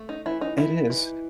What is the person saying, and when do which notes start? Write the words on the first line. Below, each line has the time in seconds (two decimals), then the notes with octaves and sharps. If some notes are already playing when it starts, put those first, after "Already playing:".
It is.
Already playing: A3
0.09 D#4
0.26 E3 E4
0.41 D#4
0.57 D#4 E4
0.90 E3